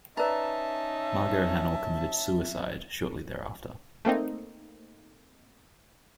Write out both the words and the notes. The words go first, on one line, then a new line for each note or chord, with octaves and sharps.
Margot Hanel committed suicide shortly thereafter.
C#4 D#4 B4 D5 E5 A5 A#5
A3 A#3 C4 D#4